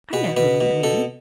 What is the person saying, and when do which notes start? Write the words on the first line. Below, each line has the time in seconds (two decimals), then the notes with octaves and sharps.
I know whom you mean.
0.13 B2 B4
0.37 B2 B4
0.60 B2
0.83 B2 A4